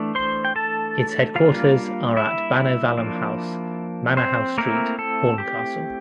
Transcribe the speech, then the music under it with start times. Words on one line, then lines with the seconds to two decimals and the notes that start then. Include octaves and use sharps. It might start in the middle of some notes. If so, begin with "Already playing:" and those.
Its headquarters are at Banovallum House, Manor House Street, Horncastle.
Already playing: E3 A3 D4
0.15 C5 C6
0.45 G5
0.56 A4 A5
1.36 G3 A#3 D4 F4 F5
2.17 E4 E5
2.97 F3 A#3 D4
4.17 C4 C5
4.58 A3 A#3 C4 E4 A#4
4.99 A4
5.38 G4